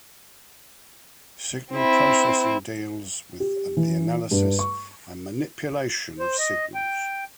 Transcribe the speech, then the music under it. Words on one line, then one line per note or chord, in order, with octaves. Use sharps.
Signal processing deals with the analysis and manipulation of signals.
C4 E4
G4
E3
G2
C#6
C5
D#5
G5